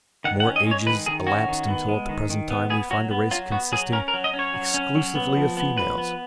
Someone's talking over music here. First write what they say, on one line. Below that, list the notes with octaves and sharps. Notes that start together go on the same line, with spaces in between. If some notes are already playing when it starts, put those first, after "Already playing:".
More ages elapsed until at the present time we find a race consisting exclusively of females.
D#3 F#5
F#5
C#4
D#5
G#3 C#5
D#3 B4
D#3 G#4
C#4 F#4
D#3
B3
G#3
D#3
D#3
B3
B3 G#4
F#3 F#4
B3
F#3 F4
B3 F#4
F#3 G#4
C#4 A#4
A#4
F#3
D#5
C#4
C#5
F#3
C#4
F#3
B3
F3
B3
F3 B4
B3